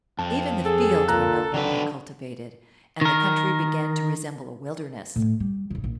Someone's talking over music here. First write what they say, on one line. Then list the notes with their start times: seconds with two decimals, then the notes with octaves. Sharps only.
Even the fields were no longer cultivated and the country began to resemble a wilderness.
0.19 F2 A5
0.66 G#4 A4
1.08 C2 A#2 A#5 F#6
1.54 D3 D#3 F#3 D4 B4
3.01 D#3 A#4
5.16 A2
5.40 G3
5.70 D#1 C#3
5.84 A#1